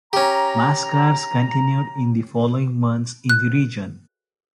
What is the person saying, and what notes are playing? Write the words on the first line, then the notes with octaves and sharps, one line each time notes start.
Massacres continued in the following months in the region.
C#4 G4 A#5
F#6